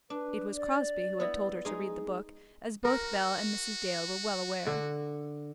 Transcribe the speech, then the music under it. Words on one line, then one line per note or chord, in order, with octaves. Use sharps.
It was Crosbie who had told her to read the book, as both Bell and Mrs. Dale were well aware.
D4 B4
D5
B3 E4
G#3 D#4
F#4 A#4
D3